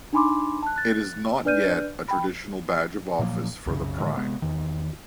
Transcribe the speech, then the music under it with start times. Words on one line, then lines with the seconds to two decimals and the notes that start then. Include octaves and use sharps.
It is not yet a traditional badge of office for the Prime.
0.13 D4 D#4 G#5 B5 C6 D6
0.63 A5 F#6
0.76 F#6 A6
1.45 D4 B4 D5 F6 G6 D#7
2.08 G5 B5
3.19 A#2 F3 F#3 A#3
3.66 C2 F#2 C#3
3.99 A2 D3 D#3 G#3
4.17 C3 G#3 B3
4.42 E2 D#3